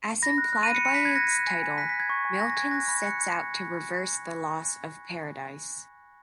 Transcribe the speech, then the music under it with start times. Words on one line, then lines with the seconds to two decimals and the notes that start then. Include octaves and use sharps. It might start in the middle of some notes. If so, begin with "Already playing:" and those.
As implied by its title, Milton sets out to reverse the "loss" of Paradise.
0.22 B5 A#6
0.38 F#6
0.53 F#6
0.63 D#7
0.68 B5
0.75 C#7
0.85 B5 C#7
0.94 B6
1.00 B5
1.05 G#6
1.15 F#6 A#6
1.31 F#6
1.47 G#5
1.62 G#5
1.78 F#6 B6
1.89 B6
1.94 F#6
2.00 G#6
2.10 C#6
2.25 G#5
2.40 G#5 A#6
2.57 G#5 G#6
2.71 F#6 A#6
2.88 B5
3.02 F#6 C#7